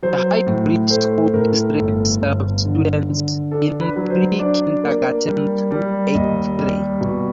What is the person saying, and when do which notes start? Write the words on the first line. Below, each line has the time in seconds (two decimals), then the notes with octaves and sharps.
The High Bridge School District serves students in pre-kindergarten through eighth grade.
0.03 F#3 C5
0.47 A2
0.90 A3 C5
1.33 A2 A#4
1.77 G1 A4
2.21 G1
2.65 D3
3.09 D3
3.51 D4 A4
3.81 B4
3.96 F#3
4.10 C5
4.39 D4 D5
4.84 A#3
5.26 G3
5.71 G3
6.15 D#2 D#5
6.58 G3
7.01 B2